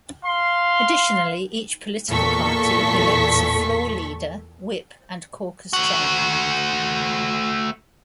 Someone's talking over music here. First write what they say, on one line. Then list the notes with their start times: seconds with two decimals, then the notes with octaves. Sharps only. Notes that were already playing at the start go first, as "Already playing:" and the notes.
Additionally, each political party elects a floor leader, whip, and caucus chairman.
0.25 F5 C6
2.08 E2 A#2 A4 C#6 B6
5.73 A3 F#4